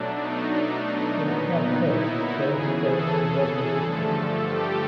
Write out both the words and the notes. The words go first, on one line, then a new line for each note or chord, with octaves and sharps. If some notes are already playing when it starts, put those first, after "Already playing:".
The McNab coat is close, dense and weather resistant.
Already playing: B2 F#3 A3 D4
D#4
A#2 F#3 B3
E4
E2 C#3 E3 G#4
A4
A4
G2 D3 F3 A3
G4